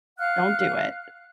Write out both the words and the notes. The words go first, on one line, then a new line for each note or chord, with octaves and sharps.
Don't do it.
F5 F#5 F6 F#6